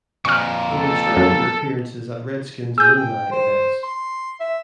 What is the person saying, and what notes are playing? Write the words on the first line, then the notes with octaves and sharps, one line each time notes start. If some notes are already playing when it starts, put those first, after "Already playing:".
He makes regular appearances at Redskins alumni events.
F2 A#2 C#6 F6
A4
F#2
G#4 E6 G6
G5
C5
C6
E5